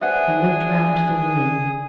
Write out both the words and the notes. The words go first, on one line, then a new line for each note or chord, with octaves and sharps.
I looked round the room.
D4 G#4 B4 C5 E5 F#5 D#6 F#6